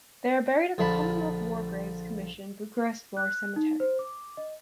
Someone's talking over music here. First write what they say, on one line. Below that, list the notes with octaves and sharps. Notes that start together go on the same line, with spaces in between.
They are buried at the Commonwealth War Graves Commission Bucharest War Cemetery.
A#1 D3 F3 A5 B5
F#6
D#4
C5
D6
D#5